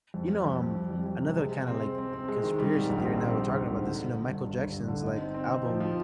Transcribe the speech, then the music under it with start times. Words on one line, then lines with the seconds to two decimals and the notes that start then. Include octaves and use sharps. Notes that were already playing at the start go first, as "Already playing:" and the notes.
You know, um, another kinda, like, conspiracy theory, now we're talking about this, you know, Michael Jackson's, like, album,
0.14 F2
0.29 F2
0.45 F2
0.60 G3
0.76 G3
0.90 F2
1.06 F2
1.21 C3
1.36 G#3
1.52 G#3
1.67 C4
1.83 C4
1.98 C4
2.13 C4
2.28 G#3
2.43 D#3
2.59 G3
2.74 G#2
2.89 A#1
3.05 C4
3.20 C4
3.36 G3
3.50 A#1
3.66 G#2
3.82 D3
3.96 D3
4.12 D3
4.27 G2
4.43 G1
4.58 G1
4.73 G2
4.88 D3
5.04 D#4
5.18 C4
5.34 C4
5.50 D#4
5.65 F3
5.80 F3